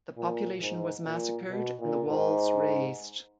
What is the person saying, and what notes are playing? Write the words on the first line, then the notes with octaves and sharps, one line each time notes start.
The population was massacred and the walls razed.
A#2
G#2
A#2
B2
A#2
G#2